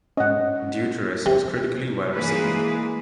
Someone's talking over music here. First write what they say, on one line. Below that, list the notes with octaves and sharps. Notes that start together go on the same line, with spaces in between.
"Deuteros" was critically well received.
G#2 C#4 D#5 F#5
C3
E3 G#3 A#3 G#4 B4